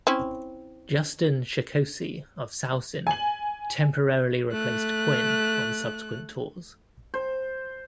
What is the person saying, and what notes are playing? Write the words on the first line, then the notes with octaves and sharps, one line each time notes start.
Justin Shekoski of Saosin temporarily replaced Quinn on subsequent tours.
C4 C#4 E4
G#5 F#7
A3 F#6
C5